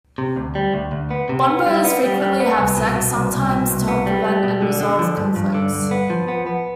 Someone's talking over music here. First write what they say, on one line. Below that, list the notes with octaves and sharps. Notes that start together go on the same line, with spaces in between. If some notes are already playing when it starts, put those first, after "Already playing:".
Bonobos frequently have sex, sometimes to help prevent and resolve conflicts.
C3
D2
G3
D2
D2
B3
C3
B3
G3
B3
G3
G3
B3
C2
B2
B2
C2
C2
B2
C2
B3
G3
G3
B2
D3
D3
F3
G2
G2
D3
G2
B3
F3
B3
B3